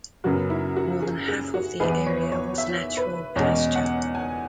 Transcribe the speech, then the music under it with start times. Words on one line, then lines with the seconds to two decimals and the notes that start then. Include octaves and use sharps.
More than half of the area was natural pasture.
0.24 F#2 C#3 F#3 B3 F#4
0.50 E4
0.76 F#4
1.02 G#4
1.28 G#4
1.54 F#4
1.80 E2 E3 B3 E4 G#4 B4
2.07 C#5
2.32 C#5
2.58 E5
2.97 B4
3.36 E2 B2 G#3 C#4 G#4 C#5
3.76 F#5
4.15 G#5